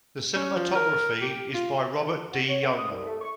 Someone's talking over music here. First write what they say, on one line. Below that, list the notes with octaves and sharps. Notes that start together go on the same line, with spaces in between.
The cinematography is by Robert D. Yeoman.
C#4
F3
A#4
G4
F4
F#4
C#5
F#5
D#6
C2
A3
C#6